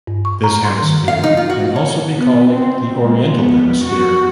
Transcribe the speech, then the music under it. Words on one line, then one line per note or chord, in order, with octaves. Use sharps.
This hemisphere may also be called the "Oriental Hemisphere".
G2
C#6
A#5
C6
D#3
F5
D#4
F4
F#4
C#5
B3
C4
G#3
B3
F#4